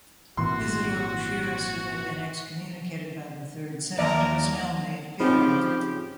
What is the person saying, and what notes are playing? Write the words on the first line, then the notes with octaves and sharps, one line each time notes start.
Isidore Buchiras, who had been excommunicated by the third synod, was now made patriarch.
G#1 A#2 E3 F#4 C6
D#2 A#4 D5 E5 A5 A#5
F3 C4 C#4 D#4 G4 G#4 B5